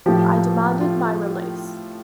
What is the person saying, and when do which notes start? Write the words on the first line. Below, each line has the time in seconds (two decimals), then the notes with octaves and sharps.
I demanded my release.
0.06 A2 F3 G4
0.81 F4